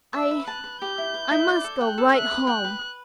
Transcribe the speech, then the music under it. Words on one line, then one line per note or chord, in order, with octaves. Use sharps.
"I--I--must go right home."
E5 E6
B4
A5 F#6
B4
G4 G6
E4
B4
E4
D5
A4
G5 F#6
A4
E5 F#6
B4
G5 F#6
B4
B4